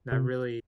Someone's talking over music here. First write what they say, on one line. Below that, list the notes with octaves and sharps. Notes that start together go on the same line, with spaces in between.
that really,
C3